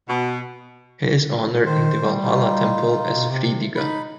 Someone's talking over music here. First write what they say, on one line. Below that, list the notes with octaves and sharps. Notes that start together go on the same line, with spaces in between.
He is honored in the Walhalla temple as "Friediger".
B2
D#3 C5
G3
D#4 F4
B2
C3
D#4 B5